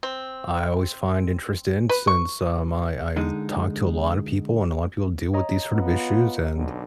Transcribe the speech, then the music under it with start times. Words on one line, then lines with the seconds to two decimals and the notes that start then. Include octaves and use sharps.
I always find interest in since, um, I I talk to a lot of people and a lot of people deal with these sort of issues and
0.03 C4
1.89 B4
2.07 C#6
3.16 D3 G#3 D#4
5.34 C#5 D#5 A#5
5.72 B3 F4
6.54 B1 D3